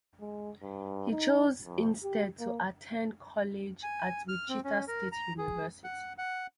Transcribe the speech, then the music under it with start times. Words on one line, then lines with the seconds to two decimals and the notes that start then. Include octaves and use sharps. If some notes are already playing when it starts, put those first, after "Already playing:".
He chose instead to attend college at Wichita State University.
0.20 G#3
0.62 G2
1.11 D#4
1.65 F2
2.03 G4
2.39 A#3
3.83 G#5
4.28 F6
4.49 C4
4.64 C#4
4.88 A#4
5.12 A#5
5.38 G#4
5.84 F#5
6.18 F#5